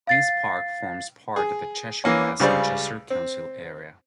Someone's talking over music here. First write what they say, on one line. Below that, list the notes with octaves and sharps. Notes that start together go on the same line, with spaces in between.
Queens Park forms part of the Cheshire West and Chester council area.
F5 A6 C7
G#4
E3 A#3 C#4
C#2 C#3 G3 G#4 C5 D5
C4